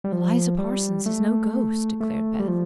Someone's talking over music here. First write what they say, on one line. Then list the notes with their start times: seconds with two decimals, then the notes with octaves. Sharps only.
"Eliza Parsons is no ghost," declared Beth.
0.04 G3
0.12 F3
0.58 G3
1.06 A3
2.01 A3
2.39 G3
2.48 F3